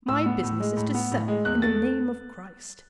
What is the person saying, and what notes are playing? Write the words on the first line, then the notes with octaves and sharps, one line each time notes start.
My business is to sell in the name of Christ.
A2 E6
B3
A2
G#3
A2
B3
A2
G#3
E2 F#6
A3 A6